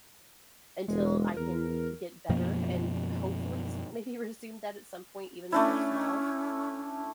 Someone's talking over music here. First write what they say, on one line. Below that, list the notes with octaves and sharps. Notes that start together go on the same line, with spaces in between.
until I can get better and hopefully s maybe resume that at some point, even if they're small.
E1 G#3
E2 A#4
F#2 B2 F3 A#3
A3 C#4 D4 E4